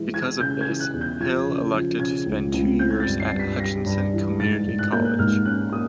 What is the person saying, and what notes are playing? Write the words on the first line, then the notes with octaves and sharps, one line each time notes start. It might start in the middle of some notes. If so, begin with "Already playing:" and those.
Because of this, Hill elected to spend two years at Hutchinson Community College.
Already playing: E3 G#3
E3 G#6
C#3 G6
G#6
E3
F#6
E2
G6
F3 G#6
C#3
F3
C#3 G#6
C#2
C#2
C4 G6
G#6
A6
G2
C7
G2
B6
G3 A#6
G2
E3
G#2 A6
G#2
F#6
A#3 G6
F#6
G#2 F6
C#4 F#6
A#3 D#6